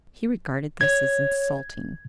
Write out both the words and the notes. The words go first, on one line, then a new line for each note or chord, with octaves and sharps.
He regarded this as insulting.
C#5 G#6